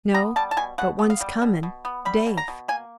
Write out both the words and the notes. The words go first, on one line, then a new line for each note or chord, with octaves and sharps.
"No, but one's comin'--Dave."
B3 A#5
G3 A5
A5
B2 G#5
B2 F#5
B3
F5
G3
B2
B2
B3
G3 B5
B2
A#5
B2
A#3 G#5